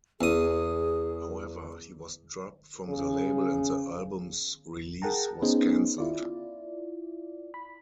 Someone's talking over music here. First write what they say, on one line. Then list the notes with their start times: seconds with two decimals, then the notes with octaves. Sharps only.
However, he was dropped from the label and the album's release was canceled.
0.21 E2 G#4 D#6
2.89 C#3
5.02 G#4 A#4 F#5 G5 A5 A#5
5.42 B3 C#4 D#4 G#4 C5
5.98 E4 F4 D5
7.54 B5